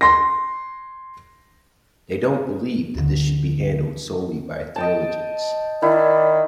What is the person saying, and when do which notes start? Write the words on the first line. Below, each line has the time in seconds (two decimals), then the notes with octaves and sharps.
They don't believe that this should be handled solely by theologians.
0.01 C6 A#6
2.95 D2 D3
4.76 D#5 G5 A5
5.82 D#3 E4 D5